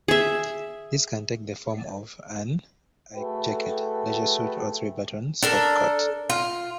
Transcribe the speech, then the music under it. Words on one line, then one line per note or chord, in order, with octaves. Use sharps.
This can take the form of an Ike jacket, leisure suit or three-button sportcoat.
G#4 E5
A3 F#4 G#4 A4 B4 G5
D4 A4 A#4
F4